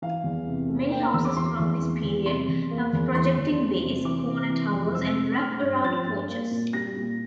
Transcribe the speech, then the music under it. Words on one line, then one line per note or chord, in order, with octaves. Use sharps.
Many houses from this period have projecting bays, corner towers, and wrap-around porches.
E3 F5
E2
C3
A3
A#3 G5
A#5
E2 E6
D6
E3 C6
E2
E3
E2
C3 C6
E2
A#3
E2
E3 C6
E2
A3
C3
E3 D6
C3
E3
F2
C3 E6
A3
A3 F6
G2
F3 A6
G2
A#3
A#2
G3 A#6
A#2